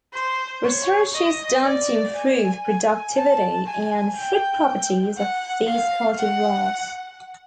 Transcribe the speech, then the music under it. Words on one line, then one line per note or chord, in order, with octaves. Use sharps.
Research is done to improve productivity and fruit properties of these cultivars.
C5
C#5
D#5
D5
G#5
G#5
A5
G#5
G5
F#5
F5
F#5